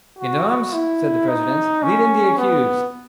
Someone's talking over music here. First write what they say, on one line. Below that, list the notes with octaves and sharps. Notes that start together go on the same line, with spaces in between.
"Gendarmes," said the president, "lead in the accused."
F#4
E4
D#4
C#4
B3